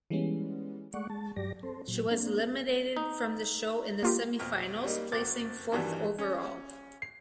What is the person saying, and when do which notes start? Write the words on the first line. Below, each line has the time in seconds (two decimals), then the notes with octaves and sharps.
She was eliminated from the show in the semi-finals, placing fourth overall.
0.10 E3 G3 G#3 B3 C#4
0.94 G#3 A3 D5 F#5 C#6
1.10 G#3 A5
1.36 G2 F#3 G4 D5 A#6
1.63 C4 A4 C5
1.88 A#2 F#3
2.11 A#3 C4 D4
2.97 D#4
4.03 A#3 F4 G4
4.39 B1 F2 F6
4.84 G3 A#3 D#4
5.12 F#1 F2 F#4 D6 A6
5.72 G2 D#3 E3 F#3 G3
6.19 C#4
7.02 C7